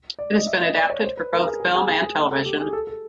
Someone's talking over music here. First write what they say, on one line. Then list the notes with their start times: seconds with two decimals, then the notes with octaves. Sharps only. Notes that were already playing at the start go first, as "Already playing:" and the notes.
It has been adapted for both film and television.
0.19 D5
0.33 D#5
0.47 E5
0.62 D#5
0.76 D5
0.90 C#5
1.04 C5
1.17 B4
1.33 A#4
1.46 G#4
1.60 G#4
1.74 G#4
1.88 G#4
2.03 G#4
2.31 A4
2.46 G4
2.60 G#4
2.73 A4
2.87 A4